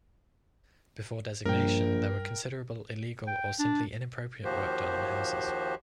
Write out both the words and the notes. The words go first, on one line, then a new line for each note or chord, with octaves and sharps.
Before designation there was considerable illegal or simply inappropriate work done on houses.
A#1 G2 A#4 G5
G5
D4
D#2 F3 A#3 F#4 G4 C5